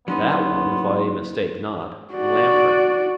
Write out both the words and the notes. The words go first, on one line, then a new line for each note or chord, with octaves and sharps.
"And that one, if I mistake not, a lamprey."
F#1 F#3 B3 C#4 D#4 C6
F#4 D5